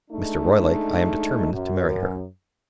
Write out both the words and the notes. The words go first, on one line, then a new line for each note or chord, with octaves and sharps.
Mr. Roylake, I am determined to marry her.
G#3 A3 D4 D#4
F#2